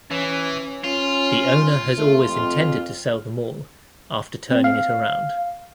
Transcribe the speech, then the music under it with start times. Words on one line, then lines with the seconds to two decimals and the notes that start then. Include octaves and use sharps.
The owner has always intended to sell the mall after turning it around.
0.11 E3 C#4
0.84 C#4 F4
1.97 A3
2.29 F2
4.51 C4
4.64 F5